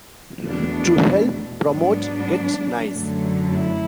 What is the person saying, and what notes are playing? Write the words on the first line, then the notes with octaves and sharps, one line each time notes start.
To help promote Get Nice!
E2 B2 A3 D4
G#2 F#3 B3 D4
F#2 D3 F#3 A3
E4